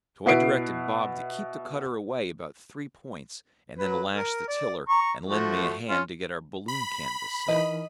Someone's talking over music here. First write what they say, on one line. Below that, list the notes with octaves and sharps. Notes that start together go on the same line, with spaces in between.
So I directed Bob to keep the cutter away about three points, and then lash the tiller, and lend me a hand to get our balloon canvas set.
B2 E4 B4 C7 D7
F#3 B4
A#4
D5
A#5 C#6
F3 A3 F#4
C#4 F4
B5
E3 D#4 A#4 D#5